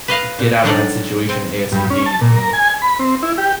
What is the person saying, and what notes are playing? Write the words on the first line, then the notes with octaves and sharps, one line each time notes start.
get out of that situation ASAP and
B4 D#5 F5
A#2
F#3 G3 D4 D#4 A4 D5
C4
G2
C#4
A5
A#2
A#4
G#5
B5
C4
E4
G4